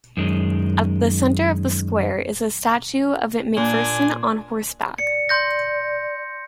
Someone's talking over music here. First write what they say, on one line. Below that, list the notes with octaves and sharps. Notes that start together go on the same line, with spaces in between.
At the center of the square is a statue of McPherson on horseback.
F#2 D#3 G#3
A#2 D4 G#5
D5 C#7
C6 G6 A#6